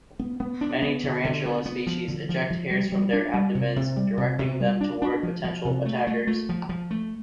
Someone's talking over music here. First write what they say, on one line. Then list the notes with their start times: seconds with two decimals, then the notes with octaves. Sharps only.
Many tarantula species eject hairs from their abdomens, directing them toward potential attackers.
0.19 B3
0.40 B3
0.61 D4
0.82 B3
1.03 D3
1.24 D3
1.45 B3
1.66 B3
1.87 F3
2.08 D3
2.29 F3
2.50 F3
2.70 G3
2.92 G3
3.13 D4
3.34 G3
3.55 C3
3.76 C3
3.97 G3
4.17 C3
4.39 C3
4.60 G3
4.81 D4
5.02 D4
5.23 F3
5.44 F3
5.65 C3
5.85 A3
6.07 A3
6.27 A3
6.49 F3
6.69 F3
6.91 A3